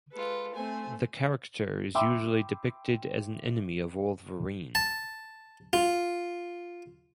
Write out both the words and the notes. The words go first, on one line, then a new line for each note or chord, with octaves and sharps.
The character is usually depicted as an enemy of Wolverine.
G#3 F4 A4 B4
A3 C4 C5 G#5
E5 G5 B5 C6 D6 E6
A5
F4